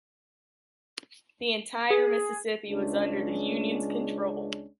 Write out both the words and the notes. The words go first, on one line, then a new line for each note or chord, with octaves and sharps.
The entire Mississippi was under the Union’s control.
G#4
C#2 G#3 C#4 D4